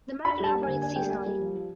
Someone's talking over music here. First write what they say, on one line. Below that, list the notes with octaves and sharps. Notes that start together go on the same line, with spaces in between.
The market operates seasonally.
D4 B5
G3 A5
A#3
G#5
D3
D4 G#5
G3 G5
A#3 G#5
G3
F3
F3